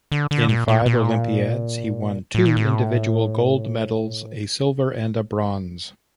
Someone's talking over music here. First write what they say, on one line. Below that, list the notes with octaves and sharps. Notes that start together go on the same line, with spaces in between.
In five Olympiads, he won two individual gold medals, a silver and a bronze.
D3
D3
A#2
A#2
A#2
A2
A#2
A2